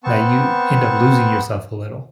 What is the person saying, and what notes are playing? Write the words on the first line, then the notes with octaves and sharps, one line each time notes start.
that you end up losing yourself a little.
B3 C4 A5 C#6